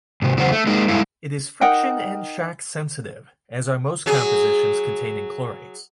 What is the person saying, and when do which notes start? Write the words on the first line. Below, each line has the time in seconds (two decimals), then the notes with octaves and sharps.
It is friction and shock sensitive, as are most compositions containing chlorates.
0.22 G#2 C3
0.37 E2 C#3 F#3 C5 F#5
0.52 A3
0.67 G#3 A#3 D#4
0.88 G2 G#3 E4 A4 F5
1.61 D#4 A#4 F#5 G5
4.06 F#3 G#4